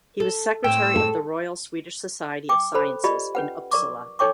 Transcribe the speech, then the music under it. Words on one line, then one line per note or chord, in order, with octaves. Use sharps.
He was secretary of the Royal Swedish Society of Sciences in Uppsala.
A4
A2 C4 G5 E6
A4
G5 D6
A4 C5 B5
F4 G4 D5 D#5 B5
C#4 B4 F#5
A#4 D5 C#6 D6
D#4 A4 C#5 G5 C#6 D6